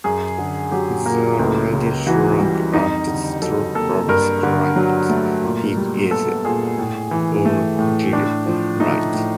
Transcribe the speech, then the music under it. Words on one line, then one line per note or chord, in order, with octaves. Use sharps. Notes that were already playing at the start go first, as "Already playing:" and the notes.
The reddish rock at the top of Crypt Peak is argillite.
F#2 G#4
D3
F#3 G4
A#3
C#2
C#3
E3 F#4
G3
F2 D#4
D3
F#3 A4
A#3 A4
G2 A#4
D3
F#3
A3
A#2
G3
B3 A4
A#2 G#4
A2
E3
A3
A2
A2 D4
F3
A3 D#4
A2